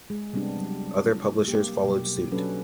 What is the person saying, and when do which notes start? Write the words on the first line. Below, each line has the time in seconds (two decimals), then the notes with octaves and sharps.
Other publishers followed suit.
0.10 G#3 G#4
0.33 C3 G3 B3 C4 D4 G4
0.57 F#3
1.48 A#3 G4
1.84 B2 F#3 G4
2.32 F#3 C#4 D4 A4 B4